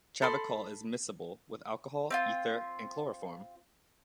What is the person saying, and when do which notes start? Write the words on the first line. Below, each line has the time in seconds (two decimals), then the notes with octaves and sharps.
Chavicol is miscible with alcohol, ether, and chloroform.
0.22 A4 B5 C6
2.11 C4 E4 F4